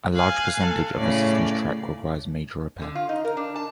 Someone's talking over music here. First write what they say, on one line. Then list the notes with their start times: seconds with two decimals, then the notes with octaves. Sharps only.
A large percentage of the system's track requires major repair.
0.14 F5 G#5 F#6
0.61 A4
0.98 A2 C#3 C#4 D5
2.82 D3
2.95 F4
3.09 D#4
3.25 A#4
3.37 D4
3.56 A5